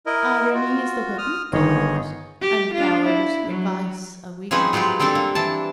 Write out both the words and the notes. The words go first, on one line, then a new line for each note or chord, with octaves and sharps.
Irony is the weapon of cowardice, and cowardice the vice of weakness.
E4 A#4 D#5
F4 F#4
D#6 F6
G1 D#3 G#4 C#5 D#5
G4
D4 F4
E4
F#3
F3 C4 C#4 D#4 G#4 B4
F#3 G#3 F4 G4 B4
G3 C4 D4 G4 A4
A#3
E3 D4 A5